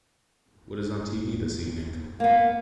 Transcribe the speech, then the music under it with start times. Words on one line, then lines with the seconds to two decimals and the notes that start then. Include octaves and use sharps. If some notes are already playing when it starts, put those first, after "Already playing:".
What is on TV this evening?
2.20 A#3 B3 F5